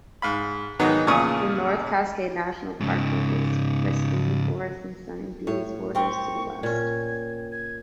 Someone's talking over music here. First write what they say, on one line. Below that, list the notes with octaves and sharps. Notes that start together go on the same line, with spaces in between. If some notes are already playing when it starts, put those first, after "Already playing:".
The North Cascades National Park-with its pristine forests and stunning views-borders to the west.
G#2 F5 B5
G#2 D#3 F#3 B3 D#4
E2 A#2 C#3 F3 C#6 D#6
G#2 C#3
A2 C#5
C4 G4 A#4 G5 C#6
A#2 C#4 G#6
G#6